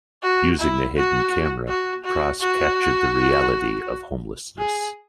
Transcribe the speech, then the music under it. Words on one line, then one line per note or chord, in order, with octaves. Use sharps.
Using a hidden camera, Pras captured the reality of homelessness.
F#4
E4
F#4
F#4
F#4
F#4
G#4